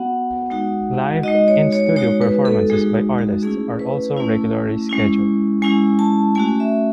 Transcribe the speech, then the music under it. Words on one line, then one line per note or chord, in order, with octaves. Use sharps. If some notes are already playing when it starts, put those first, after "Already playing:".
Live, in-studio performances by artists are also regularly scheduled.
Already playing: B3 F#4 F#5
G#3 D#4 F#4
G#3 D#4 F#4 D#5
C#5
C#5
G#3 D#4 F#4 C#5
B4
A4
G#3 D#4 F#4 G#4
F#4
F#4
A3 C#4 E4 G#4
B4
A3 C#4 E4
G#3 C#4 E4
G#3 C#4 E4 G#5
A5
A3 C#4 F#4 G#5
E5